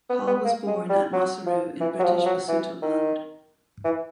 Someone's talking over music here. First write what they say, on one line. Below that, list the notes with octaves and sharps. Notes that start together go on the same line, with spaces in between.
Hall was born at Maseru in British Basutoland.
B3
B3
A#3
G#3
G3
F#3
F3
E3
F#3
F3
F3
F#3
E3
D#3
E3